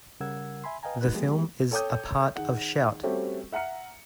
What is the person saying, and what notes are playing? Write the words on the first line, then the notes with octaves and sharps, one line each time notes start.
The film is a part of Shout!
C#3 G3 A#4 F#5 E6 G#6
E5 G#5 B5 C6
B4 D#5 F5 G5 G#5 A#5
G#3 D#4 F#4 B4 F#6
F3 G#3 A#3 B3 G4 G#4
A4 C#5 G5 D6 D#6 G6
D#3 G#4 F#5
G3 A3 C4 C#4 F#4 G4
E5 F#5 A#5 F6 C#7